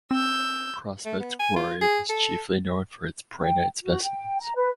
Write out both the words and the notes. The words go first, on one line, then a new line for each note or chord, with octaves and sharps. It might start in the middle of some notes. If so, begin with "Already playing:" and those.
Prospect Quarry was chiefly known for its prehnite specimens.
C4 E6 G6
A3
B3
G#5
F4
G#4
A4
G5
F#4
G5
A#5
B4